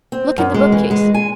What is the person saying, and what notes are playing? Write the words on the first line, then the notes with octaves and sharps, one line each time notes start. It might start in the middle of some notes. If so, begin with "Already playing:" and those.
Look in the bookcase!
C4
F#2
G#3
E3
G#3
G#5